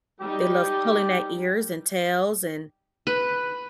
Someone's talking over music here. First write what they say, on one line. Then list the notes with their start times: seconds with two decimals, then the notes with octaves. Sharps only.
They love pulling their ears and tails and,
0.21 G3 D#4 G4
3.07 B4